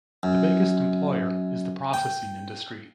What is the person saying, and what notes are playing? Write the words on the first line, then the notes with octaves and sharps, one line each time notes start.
The biggest employer is the processing industry.
F#2
G5